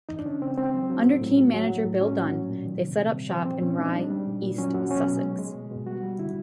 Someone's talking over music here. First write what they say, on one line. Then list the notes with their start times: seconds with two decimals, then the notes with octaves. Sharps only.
Under team manager Bill Dunne they set up shop in Rye, East Sussex.
0.09 E3 D#4
0.19 D4
0.26 C#3 C#4
0.42 C#3 C4
0.58 G#3 C4
0.74 F#3
0.90 F#3
1.06 A2
1.21 A2
1.37 F#3
1.54 F#3
1.70 A2
1.85 A2
2.01 F#3 C#4
2.18 F#3
2.33 A#2
2.49 A#2
2.66 D#3
2.82 C3
2.97 C3
3.14 G3
3.30 F3 C4
3.46 A#2 C4
3.62 A#2 C#4
3.78 G#3 D#4
3.94 G3 D4
4.10 G3
4.27 A#2
4.42 A#2
4.58 F#3 C#4
4.74 F#3
4.90 B2 C#4
5.07 B2
5.23 G#3
5.38 G#3
5.55 B2
5.71 B2
5.86 G3 F#4
6.03 G3
6.19 D3 E4